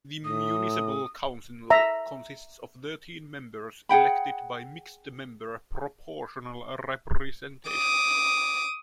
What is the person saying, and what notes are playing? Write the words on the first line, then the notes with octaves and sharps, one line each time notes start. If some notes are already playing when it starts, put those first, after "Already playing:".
The municipal council consists of thirteen members elected by mixed-member proportional representation.
A2 D#6
E5 A#5
G#4 F#5 G5 B5
D6 D#6